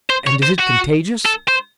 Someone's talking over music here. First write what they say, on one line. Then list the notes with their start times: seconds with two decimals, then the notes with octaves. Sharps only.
"And is it contagious?"
0.10 C5
0.27 C#5
0.43 C5
0.60 F#4
1.26 A4
1.48 C5